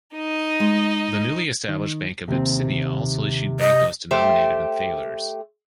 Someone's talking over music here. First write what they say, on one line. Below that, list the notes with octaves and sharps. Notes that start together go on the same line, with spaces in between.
The newly established Bank of Abyssinia also issued banknotes denominated in thalers.
D#4 D#5
G#3
D#3
D#2 C3 C4
D#5
A3 G4 C5